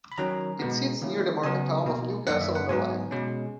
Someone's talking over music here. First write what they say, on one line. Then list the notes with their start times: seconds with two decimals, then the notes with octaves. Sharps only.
It sits near the market town of Newcastle-under-Lyme.
0.12 B5
0.18 D#3 F#3 C#4 A#5
0.59 B2 G#3 B3
1.02 D#3 A#3 C#4 E4
1.43 C#3 F#3 B3 G#5
1.85 B2 A#3 D#4
2.27 F#2 D#3 A#3 C#4 F#5
2.41 E5
2.55 F#5
2.69 G#2 F#3 B3 D#4 G#5
3.11 B2 G#3 C#4